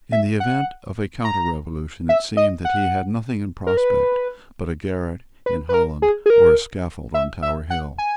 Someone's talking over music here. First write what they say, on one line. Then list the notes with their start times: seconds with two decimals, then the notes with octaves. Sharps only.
In the event of a counterrevolution it seemed that he had nothing in prospect but a garret in Holland, or a scaffold on Tower Hill.
0.12 E5
0.40 F#5
1.25 A#5
2.09 E5
2.37 D#5
2.65 F#5
3.67 A#4
3.77 B4
5.46 B4
5.69 B4
5.74 A#4
6.02 G#4
6.26 G#4
6.30 A#4
7.14 E5
7.42 E5
7.70 F#5
7.98 G#5